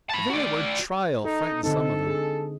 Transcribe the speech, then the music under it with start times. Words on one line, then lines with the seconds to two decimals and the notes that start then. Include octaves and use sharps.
The very word 'trial' frightens some of them.
0.10 A5 B5
0.30 F#4 D5
1.25 D#4 A4
1.63 D3 C4 D#4 A4
2.07 G#4